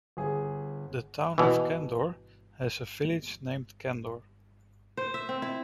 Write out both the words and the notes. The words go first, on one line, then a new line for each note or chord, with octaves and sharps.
The Town of Candor has a village named Candor.
G1 G#4
B2 E3
C5
E5
C4
E4